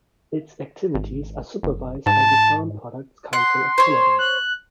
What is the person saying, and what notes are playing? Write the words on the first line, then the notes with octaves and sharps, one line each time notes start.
Its activities are supervised by the Farm Products Council of Canada.
G#1
F#1
G#2 A5
F#5 C6
C5 C#5
F#6